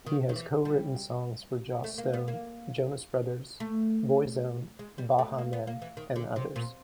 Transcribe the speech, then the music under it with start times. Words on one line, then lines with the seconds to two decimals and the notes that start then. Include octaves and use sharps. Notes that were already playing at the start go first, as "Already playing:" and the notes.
He has co-written songs for Joss Stone, Jonas Brothers, Boyzone, Baha Men and others.
0.06 D#3
0.29 D#3
0.36 E3
0.65 G3
1.84 A3
1.98 A#3
2.14 B3
2.28 A#3
3.60 A3
4.79 G#3
4.98 G3
5.19 A3
5.38 A#3
5.53 B3
5.67 A#3
5.82 E3
5.97 D#3
6.16 D3
6.36 C3
6.56 A#2